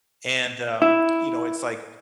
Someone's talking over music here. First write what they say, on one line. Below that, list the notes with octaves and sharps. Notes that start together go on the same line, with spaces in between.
And, um, you know, it's, like,
E4